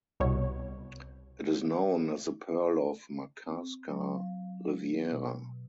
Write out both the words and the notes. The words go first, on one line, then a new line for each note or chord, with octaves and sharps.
It is known as the pearl of Makarska riviera.
C2 B2 C#5
C4
F#3
F5
B2